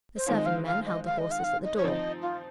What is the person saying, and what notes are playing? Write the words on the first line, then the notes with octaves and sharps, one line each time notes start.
The serving-men held the horses at the door.
C5
D#3 G#3 C4 F4 C#5
D#5
F5
F5
D#5
F5
D#5
F5
F#5
F5
D#5
C#5
F3 C4 D#4 D#5
F4